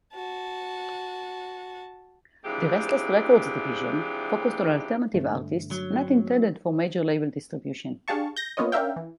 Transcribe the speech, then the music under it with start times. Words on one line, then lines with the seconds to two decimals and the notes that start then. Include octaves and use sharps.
The Restless Records division focused on alternative artists not intended for major label distribution.
0.14 F#4 A5
2.45 C3 E3 F3 G#3 D4 G4
5.14 G2 D3 A3
5.71 F#3
8.08 D4 G4 G#4 F5 A5 C#6
8.37 G6 A#6
8.57 A#3 B3 C#4 F4 C#5 D#5
8.72 C#4 D4 A#4 E5 F5 G5
8.96 E3